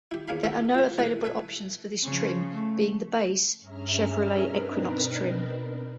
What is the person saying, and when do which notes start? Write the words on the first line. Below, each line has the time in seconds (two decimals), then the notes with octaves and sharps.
There are no available options for this trim, being the "base" Chevrolet Equinox trim.
0.11 E4 G4
0.28 E2 A#3 G#4 F5 B5
0.44 B3 E4 G4 A4 A#4
0.75 F4 B4
0.98 A#1 B2 E4 B4 F#5 G#5
1.24 A3 B4 E5 G#5
2.03 C#3 F3
2.53 A3
3.60 G2 C#4 G#4 E5 A#5 F6
4.41 B2 C4 D4 D#4 A#4 B4